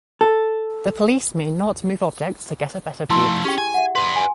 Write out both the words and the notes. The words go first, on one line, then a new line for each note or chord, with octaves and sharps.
The police may not move objects to get a better view.
A4
F3 A3 E4 C6 E6
C#4 G4 G#4 G5
G#5
E5 F#5
B4 D5 C6
G#5